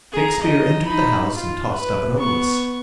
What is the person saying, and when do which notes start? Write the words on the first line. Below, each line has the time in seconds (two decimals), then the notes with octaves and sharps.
Shakespeare entered the house and tossed up an obolus.
0.12 G#4 A#5
0.41 D#4 D#5
0.85 D#4 B5
1.34 F4
1.72 B4
2.16 B3 C#6